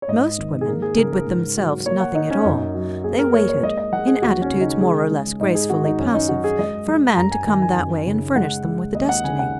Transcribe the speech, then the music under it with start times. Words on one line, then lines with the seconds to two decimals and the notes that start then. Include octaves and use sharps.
Most women did with themselves nothing at all; they waited, in attitudes more or less gracefully passive, for a man to come that way and furnish them with a destiny.
0.02 C#5
0.08 G#2 D#5
0.38 D#3
0.61 G#4
0.68 A#3 A#4
0.82 G#4
0.97 C#3 A#4
1.13 A#4
1.26 G#2
1.57 F#3
1.86 A#3 C#5
2.00 F#5
2.15 A#3 D#4
2.31 C#4
2.45 F#2 D#4
2.75 F#3
3.04 A#3 G#4
3.19 A#4
3.33 A#3 C#5
3.49 C#5
3.63 G#3 D#5
3.78 D#5
3.93 G#3 F#5
4.07 G#4
4.22 D#2 F#4
4.42 C#4
4.52 C#3
4.61 D#4
4.81 G#3 G#4
5.11 G#3
5.40 G#2 D#4
5.55 G#4
5.70 D#3 F#4
5.85 D#4
5.99 F#2 C#4
6.14 D#4
6.28 F#3 F#4
6.44 G#4
6.59 G#3 D#5
6.88 G#3
7.17 F#2 A#5
7.32 G#5
7.47 D#3 G#5
7.62 G#5
7.76 F#2
8.06 C#3
8.36 G#3 F#5
8.64 G#3
8.94 D#2 D#5
9.09 F#5
9.24 C#3 G#5
9.39 F#5